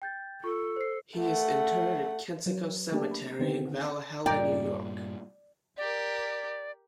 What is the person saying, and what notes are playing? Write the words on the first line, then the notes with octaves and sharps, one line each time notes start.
He is interred at Kensico Cemetery in Valhalla, New York.
G5 G6 A6
F4 A4 C#6
C5 C7
A3 F#5
F#3
A3 A#3 D4 G4
D3 D#3 B3 C4
G2 A#2 D5 G5 A#5
G4 A#4 D5